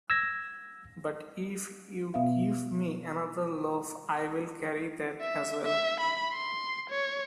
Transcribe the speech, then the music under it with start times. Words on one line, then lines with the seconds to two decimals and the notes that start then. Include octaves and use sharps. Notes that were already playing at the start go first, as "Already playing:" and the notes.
But if you give me another loaf I will carry that as well.
0.10 E6 G#6 A#6
2.14 B2 B3 E5 F5
5.21 E5
5.64 E5
6.00 B5
6.33 C6
6.90 C#5